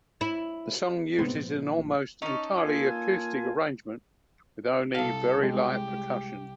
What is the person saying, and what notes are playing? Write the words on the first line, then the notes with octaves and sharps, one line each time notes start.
The song uses an almost entirely acoustic arrangement with only very light percussion.
E4
G#2 C3 A3 B3 C4
A#2 F3
B1
C#4 D#4 A4
A#3 F4 G#5
C2 A4 F5
G#3 G4